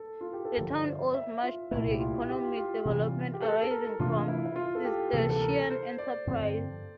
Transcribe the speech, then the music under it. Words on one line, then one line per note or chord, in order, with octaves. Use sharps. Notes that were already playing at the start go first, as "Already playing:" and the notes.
The town owes much to the economic development arising from Cistercian enterprise.
Already playing: A4
F4
G4
A4
G2 D3 F3 A#4
D5
C5
D5
E5
F4
C2 A#2 A3 E4
G4
F4
G4
F4
F4
C3 E3 G3
G4
A4
A4
A#4
A#4
C3 E3 A3 D4 F4
E4
E4
F4
A4
G4
D2 C3 E3 A#3 A4
A4
A#4
C5
D5
G2 D3 F3 C4